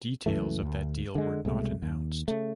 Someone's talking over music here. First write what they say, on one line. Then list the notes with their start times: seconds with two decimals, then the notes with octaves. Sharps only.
Details of that deal were not announced.
0.26 C#2 F#2 E3 A3
0.62 D2
1.15 D3 G#3
1.45 C2 B2 G#3 A3
1.82 D#2
2.28 C#3 A3